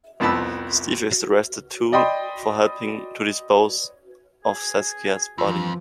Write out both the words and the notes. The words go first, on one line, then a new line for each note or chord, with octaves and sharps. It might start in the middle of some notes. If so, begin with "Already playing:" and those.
Steve is arrested too for helping to dispose of Saskia's body.
C2 F2 B3 A5 B5 E6
D5 D#5 G5 B5 C6
G#4
F2 E3 F3 F4 C6 E6